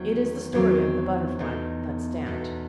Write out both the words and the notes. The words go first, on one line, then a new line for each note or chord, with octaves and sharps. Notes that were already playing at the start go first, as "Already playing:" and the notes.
It is the story of the Butterfly that Stamped.
Already playing: E2 D#3 F#3 C4
E2 D#3 F#3 C4
E2 B2 A3 D#4
E2 B2 A3 D#4